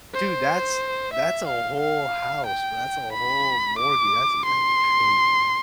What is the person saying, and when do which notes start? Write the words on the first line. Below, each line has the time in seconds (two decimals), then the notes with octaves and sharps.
Dude, that's that's a whole house, bro that's a whole mortgage that's, eh that's crazy, man.
0.14 C5
1.14 E5
1.47 F5
1.80 F5
2.46 G5
3.12 B5
3.79 D6
4.45 C6